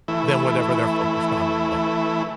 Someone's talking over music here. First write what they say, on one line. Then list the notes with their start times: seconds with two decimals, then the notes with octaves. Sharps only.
than whatever they're focused on in the moment.
0.08 E3 A3 E4